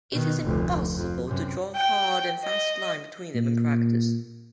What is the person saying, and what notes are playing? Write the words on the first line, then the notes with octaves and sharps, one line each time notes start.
It is impossible to draw a hard and fast line between them in practice.
B2 D#3
F1 D2
F2
F#2 C3
G5
D#5
A#2